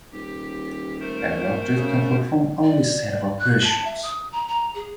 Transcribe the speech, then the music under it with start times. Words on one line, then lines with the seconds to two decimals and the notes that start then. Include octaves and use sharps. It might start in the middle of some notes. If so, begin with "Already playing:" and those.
Every object can perform only a set of operations.
0.12 D#1 G4
0.99 A3 A#4 C5
1.77 C#3
2.63 D5
3.39 F#6
3.64 A5
3.84 E5
4.03 D#6
4.32 A#5
4.48 A#5
4.74 G#4